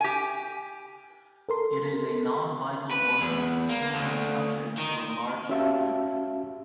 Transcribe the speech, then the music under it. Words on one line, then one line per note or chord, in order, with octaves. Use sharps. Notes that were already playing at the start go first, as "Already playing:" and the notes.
It is a non-vital organ, similar in structure to a large lymph node.
G4 G#5
A4 A#4 C6
B4
E2
A#3
D2
D#3
C#4 F#4 G4 E5 F5 A5